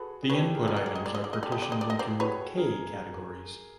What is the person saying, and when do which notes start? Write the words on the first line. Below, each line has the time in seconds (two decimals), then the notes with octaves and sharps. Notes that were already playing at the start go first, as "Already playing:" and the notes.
The input items are partitioned into "k" categories.
Already playing: F#4 G#4 A4 B4
0.23 G#4
0.29 G4 A4 B4 C#5
0.54 G#4 A#4
0.67 F#4 G#4 D5
0.77 D#5
0.86 D5
0.95 D#5
1.06 D5
1.15 D#5
1.24 D5
1.33 D#5
1.43 G4 A4 D5
1.52 D#5
1.62 D5
1.72 D#5
1.81 D5
1.90 D#5
1.99 C5 D5
2.19 F#4 G#4 B4 C#5
2.57 G#4 A#4